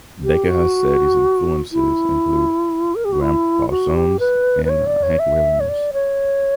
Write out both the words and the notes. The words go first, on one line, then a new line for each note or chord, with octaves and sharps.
Dekker has said his influences include Gram Parsons and Hank Williams.
G4
F#4
E4
A#4
G4
F#4
E4
F#4
G4
B4
B4
C#5
D5
C#5
E5
C#5
D5
C#5